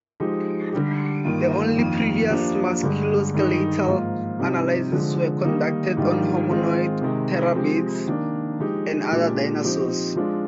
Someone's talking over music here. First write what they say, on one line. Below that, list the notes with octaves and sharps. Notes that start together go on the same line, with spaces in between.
The only previous musculoskeletal analysises were conducted on homonoids, terror birds, and other dinosaurs.
F3 G#3 D#4 G4
D3 G3 D4 G4
G2 D#3 A#3 F4
F2 D#3 A#3
F3 A#3 D4 G4
G2 D3 G#3
G2 D#3 G#3 D#4
G#2 F3 A#3 F4
C3 G3 C4 D#4 G4
D3 F3 G#3
D#3 G3 A#3 D#4 G4
G#2 D#3 G3 D4 F4
D#3 G#3 C4 F4
C3 D#3 G#3
F3 G#3 C4 G4
D#3 A#3 D4
F3 G#3 D#4 G4
A#2 G#3 D4 G4
F3 C4 D#4 G4
F3 G#3 D4 F4